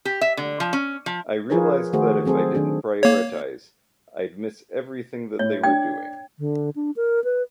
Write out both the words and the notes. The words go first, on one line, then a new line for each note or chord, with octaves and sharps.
I realized that if I didn't prioritize, I'd miss everything that they were doing.
G4
E5
D3
F3
C#4
F3
F3 F4 G#4 A#4 B4 C#5
D#3 A3 F#4 G#4 C5
F#3 C4 G#4 A4 C5
D#3 D4 G#4
A#3 C#5
A2 C#5
D4 G5 G#6
D3
D4
A#4
B4